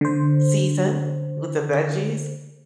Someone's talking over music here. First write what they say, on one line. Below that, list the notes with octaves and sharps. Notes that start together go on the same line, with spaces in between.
seasoned with the veggies.
D3 C5